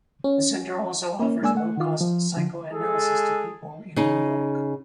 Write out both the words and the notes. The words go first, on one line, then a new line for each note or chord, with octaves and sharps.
The Center also offers low-cost psychoanalysis to people in New York.
C#4
A#3 C#4
G#3 A#3 D4 D5 G#5 E6
A3 F#5
D#3 F4
F3
D3 F3
G#3 G#4 A4
C#3 D#4